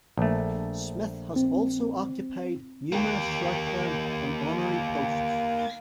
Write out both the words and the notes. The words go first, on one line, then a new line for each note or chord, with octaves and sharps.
Smith has also occupied numerous short-term and honorary posts.
A#1 A3
C4
A#3 G4